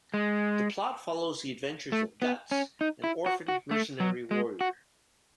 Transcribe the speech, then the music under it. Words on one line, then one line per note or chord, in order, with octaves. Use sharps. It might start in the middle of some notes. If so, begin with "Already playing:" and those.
The plot follows the adventures of Guts, an orphaned mercenary warrior.
G#3
A3
B3
C#4
D#4
E4
F#4
F#4
A3
F#3
G#3
F#4